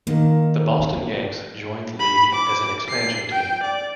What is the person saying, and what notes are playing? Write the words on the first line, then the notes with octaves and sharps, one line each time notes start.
The Boston Yanks joined the league as an expansion team.
D#3 A#3 D#4 A#4
B5
D6
C7
G5
D5